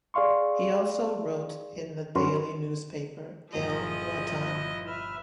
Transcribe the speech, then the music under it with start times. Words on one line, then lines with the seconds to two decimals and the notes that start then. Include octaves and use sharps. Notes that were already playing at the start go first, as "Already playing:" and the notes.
He also wrote in the daily newspaper "El Watan".
0.14 G#4 D5 F5 C6 C#6
2.16 G2 F#3 C#4 F#4 B4 C6
3.53 G1 A#2 F3 F#3 E4 G#4 D#5
4.40 B4 D#6
4.87 B4 E5 F6